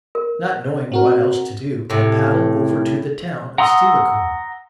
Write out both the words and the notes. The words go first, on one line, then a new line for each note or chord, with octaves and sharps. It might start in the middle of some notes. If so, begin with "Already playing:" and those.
Not knowing what else to do, I paddled over to the town of Steilacoom.
A#4
C4 F#4 A#4
A2 C3
F#5 A#5 C6 D#6 E6